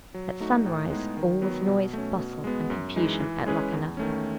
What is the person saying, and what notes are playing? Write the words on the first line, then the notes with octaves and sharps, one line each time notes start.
At sunrise all was noise, bustle and confusion at Luckenough.
F#3
A3 D#4 F#4
A2
G#3 B3 D#4 G#4
D#3
F#3 B3
B2
A3 C#4
B2
G#3 B3
F#2
E3 G#3 D#4
E3
G#3 C#4 G#4 B4
E2
D#3 A3 C#4